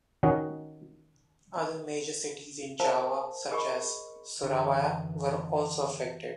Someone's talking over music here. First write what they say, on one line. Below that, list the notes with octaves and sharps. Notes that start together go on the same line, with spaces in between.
Other major cities in Java, such as Surabaya, were also affected.
D#3 C#4 F#4 D#5
A#4 C5 E5 F5 A5 A#5
G#4 A#4 D#5 G5 B5 C#6
F#2 D3 E3